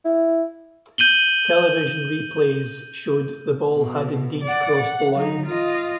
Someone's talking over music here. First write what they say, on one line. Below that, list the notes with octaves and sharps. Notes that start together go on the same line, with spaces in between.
Television replays showed the ball had indeed crossed the line.
E4
G6 D#7 F#7 G7
B2
D5 F#5
F#5
F#3 D#4
F4 D#5